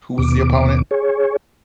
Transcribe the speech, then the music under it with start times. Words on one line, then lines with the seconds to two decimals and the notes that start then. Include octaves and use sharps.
who was the opponent?
0.18 D#2 B2 D6
0.91 G#4 C#5